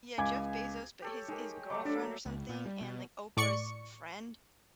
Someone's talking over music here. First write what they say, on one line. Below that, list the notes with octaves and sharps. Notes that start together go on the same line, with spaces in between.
Yeah, Jeff Bezos, but his his girlfriend or something and like, Oprah's friend,
C#2 G#5 D6 G#6
G4 A4 C#5
G#3 D#4 G4 A#4
F#3 G3 A3 D#5 A#5 D6
D4 A4 D5 E5
A#5
C#2
A#2
G3
B2
A2 D5 C#6 C#7